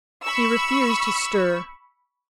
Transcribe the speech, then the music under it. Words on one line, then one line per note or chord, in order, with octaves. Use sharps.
He refused to stir.
B5 C#6 E6